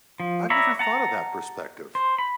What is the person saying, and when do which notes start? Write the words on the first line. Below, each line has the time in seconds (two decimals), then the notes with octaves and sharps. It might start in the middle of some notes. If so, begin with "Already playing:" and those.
I've never thought of that perspective.
0.20 F3
0.50 C#5 D5 E5 A#5 B5
0.79 F#5 A5 A#5
1.95 C5
2.18 B5